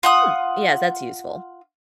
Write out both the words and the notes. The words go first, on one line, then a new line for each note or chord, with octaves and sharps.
Hmm. Yes. That's useful.
F4 F#5 D#6